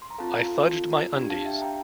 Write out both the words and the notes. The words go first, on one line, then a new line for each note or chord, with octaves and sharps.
I Fudged My Undies!
C6
A#5
C4 F4 A4 F5 A5
D4 G4
F5 A5
E5 G5
G5 A#5